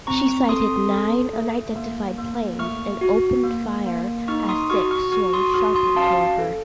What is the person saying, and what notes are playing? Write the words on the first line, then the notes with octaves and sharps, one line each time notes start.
She sighted nine unidentified planes and opened fire as six swung sharply toward her.
C4 A#5 C#6
A4 C6 D#6
A4
A3
A#3
A#3
A3 C#6 F6
F#4
A#3
A#3
D#4 C#6 F6
C6 D#6
F#4 C#6 F6
C#6 F6
F#4 C#6 F6
C6 D#6
F#4 C#6 F6
C6 D#6
C#4 F5 A5
A4